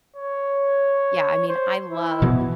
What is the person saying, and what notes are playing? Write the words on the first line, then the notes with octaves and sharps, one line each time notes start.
yeah, I mean, I love
C#5
C5
E4
B2 E3